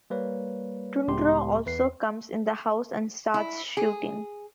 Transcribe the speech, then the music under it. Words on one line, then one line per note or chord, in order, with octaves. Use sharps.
Tundro also comes in the house and starts shooting.
G3 A#3 B4 C#5
C#2 A2 G#3 B3 G4 C6
E2 B4 C7
E4
G#4